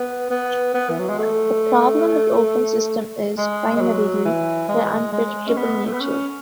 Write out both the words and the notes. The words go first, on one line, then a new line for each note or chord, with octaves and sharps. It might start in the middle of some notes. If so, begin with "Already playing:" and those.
The problem with Open Systems is, primarily, their unpredictable nature.
Already playing: B3
B3
B3
E3
F#3
G#3
A3
G#3
G#3
F#3
E3
G#3
G#3
C#4
B3
A3
B3
C#4